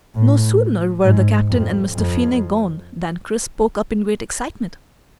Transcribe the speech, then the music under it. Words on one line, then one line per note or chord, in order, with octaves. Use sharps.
No sooner were the Captain and Mr. Finney gone than Chris spoke up in great excitement.
A2
G#2
F2
F2